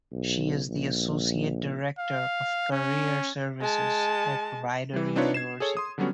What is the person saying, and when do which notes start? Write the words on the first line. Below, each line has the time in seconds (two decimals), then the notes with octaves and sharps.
She is the Associate Director of Career Services at Rider University.
0.12 B1
0.69 A#1
1.98 F5
2.72 C#4
3.61 G#3 A5
4.93 E3 G3
5.16 C4 D4 D#4 F4 B4 C#5
5.34 G#6 C7 E7
5.60 G#4 A4 C#5
5.77 C6 D#6
5.98 D3 F#3 G3 B3 C#4 F#4